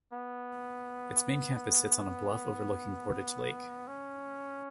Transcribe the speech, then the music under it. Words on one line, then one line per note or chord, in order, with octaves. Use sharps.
Its main campus sits on on a bluff overlooking Portage Lake.
B3
C#4